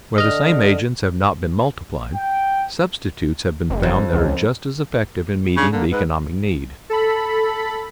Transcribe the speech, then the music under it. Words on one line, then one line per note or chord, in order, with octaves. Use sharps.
Where the same agents have not been multiplied, substitutes have been found that are just as effective in meeting the economic need.
D3 D#5 F6
G5
F#1
F2
C#2
C#3 D4
D3 A#3
G#2 B4
A4 B5